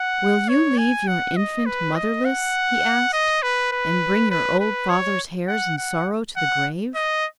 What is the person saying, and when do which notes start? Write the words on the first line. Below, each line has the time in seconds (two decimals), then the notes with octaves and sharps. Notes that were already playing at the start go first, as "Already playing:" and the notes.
'Will you leave your infant motherless?' he asked, 'and bring your old father's hairs in sorrow to the grave?'
Already playing: F#5
0.49 C#5
0.78 G#5
1.07 F#5
1.37 D#5
1.66 B4
1.96 D#5
2.25 F#5
3.13 D#5
3.43 B4
3.72 B4
4.30 B4
4.60 B4
4.89 C#5
5.48 F#5
5.78 F#5
6.36 F#5
6.95 D#5